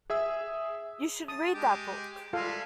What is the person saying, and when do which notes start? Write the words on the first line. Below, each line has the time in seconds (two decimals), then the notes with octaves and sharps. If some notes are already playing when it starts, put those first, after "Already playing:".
You should read that book.
0.10 G#4 E5 E6
1.28 A5 D#6
1.54 G#3 G4
2.33 G3 G#3 F4 A4 F5